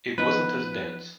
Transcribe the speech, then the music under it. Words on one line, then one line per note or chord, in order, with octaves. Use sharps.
It wasn't as dense.
F3 B3 D#4 B4